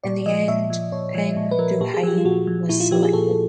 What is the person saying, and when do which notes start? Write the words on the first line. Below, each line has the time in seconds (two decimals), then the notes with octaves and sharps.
In the end, Peng Dehuai was selected.
0.04 A#2 D5
0.26 F3 D#5
0.48 A#2 E5
0.70 F3
0.92 A#2 C#5
1.15 F3
1.37 A#2
1.51 B4
1.59 F3 A#4
1.80 A#2 G4
1.94 G#4
2.03 F3 G4
2.18 F4
2.25 A#2 F#4
2.47 F3
2.69 A#2 E4
2.80 F4
2.91 F3 G4
3.03 G#4
3.13 A#2 A4